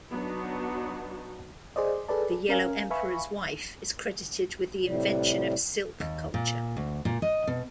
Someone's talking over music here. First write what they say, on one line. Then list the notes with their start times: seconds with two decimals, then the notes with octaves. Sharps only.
The Yellow Emperor's wife is credited with the invention of silk culture.
0.11 F#3 B3 D4 D#4 F#4
1.76 G#4 C5 D5 D#5
2.08 G#4 A4 B4 D5 A5
2.49 C#4 A#4 F5 G#5
2.90 B4 E5 F5 G#5 B5 C#6
4.83 A2 C3 G3
6.00 D#2
6.34 A#2
6.77 D2
7.05 A#2
7.22 D#5
7.47 B2